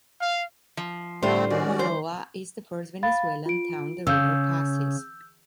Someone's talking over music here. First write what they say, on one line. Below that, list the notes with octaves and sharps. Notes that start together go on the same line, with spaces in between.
Maroa is the first Venezuelan town the river passes.
F5
F3
A2 D3 G3 A3 C4 D4 F4 C5
D#3 C#4 F#4 D5
C5
F5 B5 A6
F4 D7
C#3 E6 G6